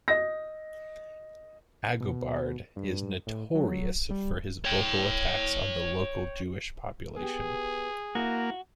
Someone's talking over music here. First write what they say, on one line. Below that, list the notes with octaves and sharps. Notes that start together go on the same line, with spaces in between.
Agobard is notorious for his vocal attacks on the local Jewish population.
D#5 A#6
B2
G2
A2
F#3
G3
C#5 G5
B3 G4 G#4
A#3 E4 F#4 F5